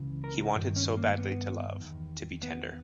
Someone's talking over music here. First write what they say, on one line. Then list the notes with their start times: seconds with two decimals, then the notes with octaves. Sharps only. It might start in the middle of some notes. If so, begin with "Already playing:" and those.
He wanted so badly to love, to be tender.
Already playing: C#2 C#3 E3
0.24 A#4
0.55 G2 D#3 G4
0.76 C#4
0.97 A#3
1.18 B3
1.80 E2 D#3
2.43 B3